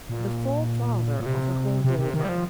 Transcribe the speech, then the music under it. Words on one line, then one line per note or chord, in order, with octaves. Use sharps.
The forefather of a hold-over.
A#2
A#2
C3
C3
C3
D#3
G3
F3